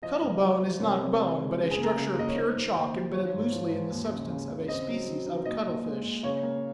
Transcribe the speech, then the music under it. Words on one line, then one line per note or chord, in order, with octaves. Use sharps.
Cuttle-bone is not bone, but a structure of pure chalk imbedded loosely in the substance of a species of cuttlefish.
F3 D#5
C#2
F3
F3
C2 C#5
C3
C2
G#3
C#3
G#4
A#3
A#4
C#3
D#2 D#5
C#5
D#4 C5
D#2
D#2
D#3
F3 C#5
G#2
F3
G#2
D#2
C#3
C#3
C#3
C4 D#5
F#3
F#3
D#4
A#2 D#5
A#2
G#3
A#2
C#3 C#5
A#3